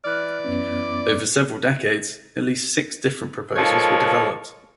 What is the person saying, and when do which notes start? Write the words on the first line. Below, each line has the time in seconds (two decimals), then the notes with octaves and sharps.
Over several decades At least six different proposals were developed.
0.04 E3 D5 F6 F#6
0.44 F#2 B3 C#4
3.56 D#3 F3 G#3 A#3 A4 C#5